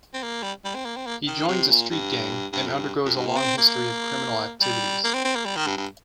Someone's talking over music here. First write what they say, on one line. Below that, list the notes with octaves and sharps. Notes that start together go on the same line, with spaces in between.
He joins a street gang, and undergoes a long history of criminal activities.
C4
A#3
G3
G3
C4
A#3
C4
A#3
D#3
C3
A#2
G2
G2
F2
G2
F2
G2
A#2
C4
A#3
G3
A#3
C4
C4
A#3
G3
D#3
G2
G2